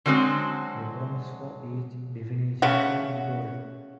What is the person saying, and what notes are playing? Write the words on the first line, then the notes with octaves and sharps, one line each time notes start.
References for each definition are included.
D3 F#3 G#3 C4 F#4
C#3 A3 F#4